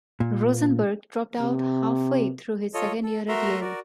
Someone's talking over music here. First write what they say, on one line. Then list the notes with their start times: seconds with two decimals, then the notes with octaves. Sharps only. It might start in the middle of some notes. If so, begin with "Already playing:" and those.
Rosenberg dropped out halfway through his second year at Yale.
0.20 A#2
1.41 C3
2.74 F4 A4 C#5 D#5
3.03 A4
3.28 A3 F#4 A#4 E5 A#5 C6
3.61 F#4 A#4 D5